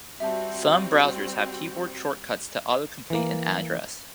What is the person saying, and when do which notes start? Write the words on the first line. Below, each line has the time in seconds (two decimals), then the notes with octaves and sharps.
Some browsers have keyboard shortcuts to auto-complete an address.
0.20 G3 C4 F#4 E5 A5
3.10 E3 A#3